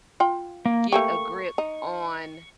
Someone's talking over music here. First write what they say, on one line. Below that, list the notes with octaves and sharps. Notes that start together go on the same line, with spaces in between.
get a grip on
F4 G5
A#3
A3 A#3 G4 C#6
D#4